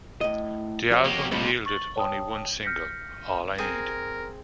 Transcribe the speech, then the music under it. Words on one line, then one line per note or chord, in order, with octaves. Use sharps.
The album yielded only one single, "All I Need".
A2 D#5
F2 F#4 C#5
A#3 G4
F2 A2 C3 G3
C#6 A6 F#7
C#5 G5 A5 D#6
F6 G6 A#6 B6 C#7
C4 G#4 A#4